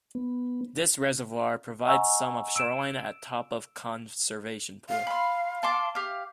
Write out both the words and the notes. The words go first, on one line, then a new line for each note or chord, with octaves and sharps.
This reservoir provides some of shoreline at top of conservation pool.
B3
D#5 F#5 G#5 A#5 C#6 E6
E6 D7 E7
F5
B5 C6
A5 C6 D6
G4 F5